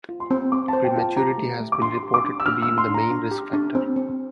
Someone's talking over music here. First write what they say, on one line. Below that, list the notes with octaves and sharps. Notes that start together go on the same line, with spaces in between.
Prematurity has been reported to be the main risk factor.
F4
C6
C4
C4 D6
C5 A5
G5
F4 A5
G4 A#5
A3
A3
D6
D4 C6
G4
D6
D4
E6
D4 F6
A3 E6
C6
D4
A#5
D4
G4
D4
C4
C4